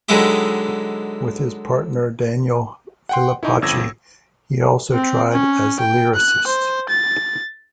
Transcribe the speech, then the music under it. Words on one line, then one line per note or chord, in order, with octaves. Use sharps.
With his partner Daniel Filipacchi, he also tried as lyricist.
D3 F#3 G#3 D#4 E4 G4
F#5 G5 C6
D#4 E4
G1 F2 E6 G#6 A#6
C4
C#4
G5
F#6
C5
A6